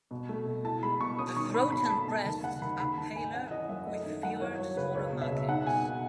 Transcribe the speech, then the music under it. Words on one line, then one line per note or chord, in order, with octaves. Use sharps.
The throat and breast are paler with fewer, smaller markings.
B2
A3
B2
E4 A5
G#3 B5
B2 C#6
C#4 D#6
D#3 C#6
G#2 B5
B2 B5
A5
A3 B5
B2 A5
D#2 A5
C#3 F#5
D#2 B5
D#4 B5
D#3 A5
G#2 G#5
C#4 F#5
E3 D#5
F#2 E5
A3 D#5
D#3
F#2 F#5
E4 C#5
F#3 C#5
C#3 B4
C#2 C#5
B2
E5
C#2
D#4 F#5
B2 G#5